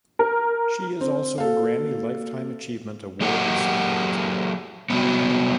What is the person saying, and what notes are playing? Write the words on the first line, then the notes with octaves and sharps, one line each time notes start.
She is also a Grammy Lifetime Achievement Award recipient.
A#4
C4
A#3 F#4 A4 F5
F#3 A#3 G4 A#4 F#5
C3 F#3 G3 B3